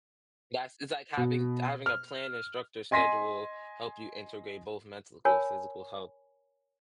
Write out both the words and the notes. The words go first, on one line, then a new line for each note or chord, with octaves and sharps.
That's it's like having having a plan instructor schedule help you integrate both mental and physical health
B2
F6
D#5 G#5 C6 A#6 B6 D#7
A#4 C#5 G#5 A5 B5